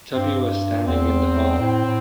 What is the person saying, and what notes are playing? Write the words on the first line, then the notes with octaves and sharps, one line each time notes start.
Tuppy was standing in the hall.
G2 C4
E2 C4
A2
A2